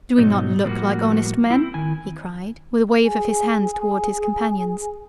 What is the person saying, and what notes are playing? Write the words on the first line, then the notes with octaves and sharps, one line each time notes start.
"Do we not look like honest men?" he cried, with a wave of his hand toward his companions.
G#2 B2 F#3 D#4
A2 F3 G3 A#3 F#4
C4 E4
D#3 E4 G#5
G#4 G#5